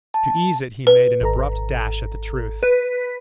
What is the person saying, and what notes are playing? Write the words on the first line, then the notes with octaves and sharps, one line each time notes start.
To ease it he made an abrupt dash at the truth.
A5
B4
G#1 A4 A#5
B4